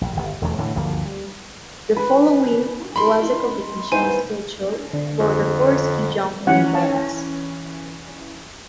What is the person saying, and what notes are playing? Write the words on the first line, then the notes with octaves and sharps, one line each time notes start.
The following was the competition schedule for the four ski jumping events.
A#1
G1
E1 E2 F#3 A3
A2 D3 E3
G1 D2 F3 A#3
G3
B4
D#4 A#4 B5 C6
B3 D#4 E4 C5 G#5
D3
F2
E3 C#4 F#5
C#5 F5 A5